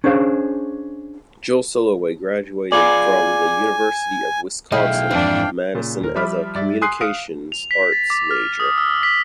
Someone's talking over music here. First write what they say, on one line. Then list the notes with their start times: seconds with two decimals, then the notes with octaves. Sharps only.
Jill Soloway graduated from the University of Wisconsin-Madison as a communications arts major.
0.04 C#4 D4 G#4 C5 F5
2.72 F4 G#4 D5 G#5
4.72 B1 A3 E4 G#4 D#5 F5 G5
5.11 F2 G#2 E3 C4 D4
5.74 A#2 C#3
6.01 D#2 A#4
6.15 F3 G3 E5 B5 D6 F6
6.55 G2 D5 E5
6.82 G#5 C6 D#6 F#6 C7
7.01 F5 D#6 C#7 D7
7.52 F7
7.71 B6
7.92 A6
8.10 D6
8.31 F6
8.60 D#6
8.78 E6
9.03 B6